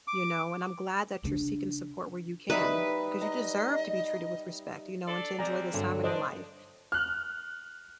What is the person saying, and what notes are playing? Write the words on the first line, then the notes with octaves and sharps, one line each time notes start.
you know, and, I'm glad that you're seeking support where you can, because you deserve to be treated with respect, you know, and to enjoy this time in your life.
D6
C#3 D4
G3 D#4 B4 E5
D#5 A#5
D4 A4 D5
G3 G#3 C4 D5 G#5 A#5
G2 D3 F#3
D4 C5 D#5
F6 F#6